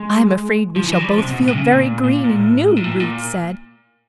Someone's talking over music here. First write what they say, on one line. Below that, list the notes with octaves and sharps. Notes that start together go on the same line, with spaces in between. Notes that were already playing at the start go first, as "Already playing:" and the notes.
"I am afraid we shall both feel very green and new," Ruth said.
Already playing: G#3
F3
E3
F#3
G3
F3
C3
B2
A2
C3
C#3
A#2
A#2
A#2
A2
G#2
A2
A#2
A2
A#2